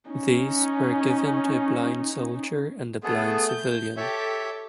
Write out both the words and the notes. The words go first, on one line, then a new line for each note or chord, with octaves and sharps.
These were given to a blind soldier and a blind civilian.
C#4 D#4
A3 B3 G#4 A4
G6
G4 A4 C#5 E5